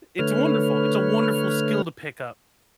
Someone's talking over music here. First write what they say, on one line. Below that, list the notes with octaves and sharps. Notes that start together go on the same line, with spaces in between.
It's wonderful. It's a wonderful skill to pick up,
D3 A3 B4 C#5 F6